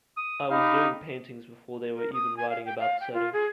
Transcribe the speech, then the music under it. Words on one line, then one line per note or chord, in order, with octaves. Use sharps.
I was doing paintings before they were even writing about the setting.
D#6
D#4 G4 F5 B5
A#4
D#6
G#5
F5
G5
F5
G5
F4
G#4